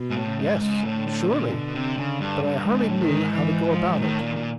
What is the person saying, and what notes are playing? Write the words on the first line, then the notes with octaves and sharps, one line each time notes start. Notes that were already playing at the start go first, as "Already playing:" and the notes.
Yes, surely, but I hardly knew how to go about it.
Already playing: B2
G#2
A2
C#3
G#2
G#2 C#3
A2
D3
A2
A#2
B2
C3
C#3
G2
G2
G#2 D3
A2
D#3
G#2
E3
F3
G#2
A2 D#3
A#2
A#2